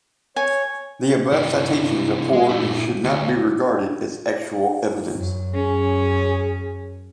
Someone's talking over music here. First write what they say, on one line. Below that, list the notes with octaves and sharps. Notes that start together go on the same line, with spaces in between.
The above citations are poor and should not be regarded as actual evidence.
C#5 G#5
C3 E3
G#3
A#2 E4
D2
F#2
C#4 G#4